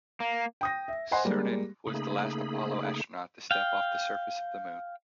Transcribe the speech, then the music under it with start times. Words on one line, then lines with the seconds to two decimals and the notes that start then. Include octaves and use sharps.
Cernan was the last Apollo astronaut to step off the surface of the Moon.
0.20 A#3
0.61 G5 D#6 A#6
0.88 E5
1.11 C5 D#5 F#5 G#5 C6
1.24 G3 G#3 A#3
1.87 C#3 A3 A#3 D#4 G#4 B5
3.51 F5 G5